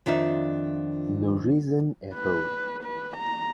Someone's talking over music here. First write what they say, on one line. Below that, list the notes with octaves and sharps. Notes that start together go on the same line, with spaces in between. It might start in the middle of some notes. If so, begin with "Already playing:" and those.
No reason at all.
F2 D#3 D4 F4 E5
B4
B4
A#5